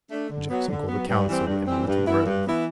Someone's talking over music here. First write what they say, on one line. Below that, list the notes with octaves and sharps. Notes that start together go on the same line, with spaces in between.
Jackson called a council in a little grove.
A3 D4
D3
F#3 B3
D3
F#3 B3
G2
E3 G3 C4
G2
E3 G3 C4
G2
E3 B3 E4
G2
E3 B3 E4